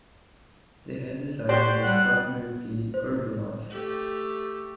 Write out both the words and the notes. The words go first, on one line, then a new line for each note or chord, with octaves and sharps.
The head designer was Vladimir P. Gorbunov.
F#4 G4 C5 D5 C6 G6
G3 F#5
C5
A3 G4